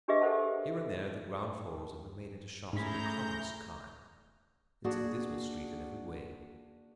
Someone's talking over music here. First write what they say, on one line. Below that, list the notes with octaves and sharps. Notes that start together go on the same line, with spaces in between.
Here and there the ground floors have been made into shops of the commonest kind; it's a dismal street in every way.
D4 G4 G#4 B4 D#5 E5
G4 A4 A#4 C5 F#5 A5
G#2 A3 C#4 E4 G#4 A#5 G6 B6
A#3 D4 F#4 G#4 D5 F#5